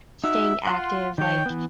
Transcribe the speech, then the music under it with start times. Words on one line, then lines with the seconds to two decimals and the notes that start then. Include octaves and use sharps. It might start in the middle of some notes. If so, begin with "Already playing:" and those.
staying active, like,
0.24 D#4 F#4 E5
0.67 F4 F#5 C6
1.18 D#3 C#5 G5
1.46 E3 B3